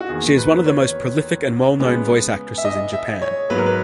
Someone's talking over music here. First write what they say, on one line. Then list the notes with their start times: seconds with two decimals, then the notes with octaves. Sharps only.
She is one of the most prolific and well-known voice actresses in Japan.
0.01 F#4
0.09 E2 D#3 A#3 G#4
0.38 B4
0.66 C#5
1.80 C#3 G#3 B3
2.58 E5
2.65 D#5
2.93 E5
3.22 C#5
3.50 G#2 F#3 B3 B4
3.58 A#4
3.66 B4